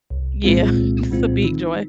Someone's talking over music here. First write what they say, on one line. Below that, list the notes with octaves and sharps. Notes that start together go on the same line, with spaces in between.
Yeah, just, a big joy.
C2
A#2 G#3 C4 F4
C2
A#2 G#3 C4 F4
D#3